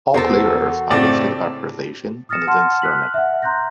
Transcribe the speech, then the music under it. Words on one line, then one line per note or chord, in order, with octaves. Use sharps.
All players are listed by position and then surname.
E2 F#4 A4 A#4 C5
A2 C#3 A3 C4 D5
D#6 F6 A6 A#6 C#7 E7
F#5 A5 C6 F6
F6 F#6 B6 F#7
E5 F#5
A#5 C6 F#6 G6 A#6